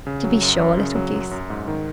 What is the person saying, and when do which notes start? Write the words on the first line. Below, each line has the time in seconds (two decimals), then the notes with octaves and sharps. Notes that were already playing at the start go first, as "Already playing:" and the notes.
'To be sure, little goose.
0.07 C#3
0.24 F#3
0.42 F#2
0.60 F#2
0.77 C#3
0.96 F#3
1.14 F#2
1.31 F#2
1.50 G#2
1.68 D#3